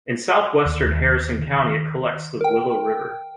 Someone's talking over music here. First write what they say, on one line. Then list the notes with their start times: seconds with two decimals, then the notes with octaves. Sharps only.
In southwestern Harrison County, it collects the Willow River.
0.65 D#2
1.39 D#3
2.41 A#4 G5